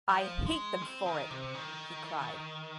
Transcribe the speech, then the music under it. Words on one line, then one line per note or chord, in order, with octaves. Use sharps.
"I hate them for it," he cried.
F3
G#3
C4
D#3
C3
D#3